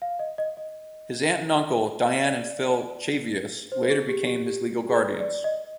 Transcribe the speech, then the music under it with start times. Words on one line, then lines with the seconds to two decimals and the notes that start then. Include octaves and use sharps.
His aunt and uncle, Dianne and Phil Cheavious, later became his legal guardians.
0.02 F5
0.19 D#5
0.38 D#5
0.57 D#5
2.24 D5
3.72 C5
3.90 G#4
4.09 G4
4.27 G4
4.46 G4
4.90 G#4
4.96 B4
5.20 D5
5.44 D#5